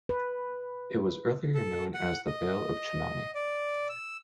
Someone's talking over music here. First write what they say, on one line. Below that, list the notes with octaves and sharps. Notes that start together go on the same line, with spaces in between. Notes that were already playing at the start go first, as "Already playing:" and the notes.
It was earlier known as the Vale of Chamouni.
B4
A4
F#5
D#5
D5
E6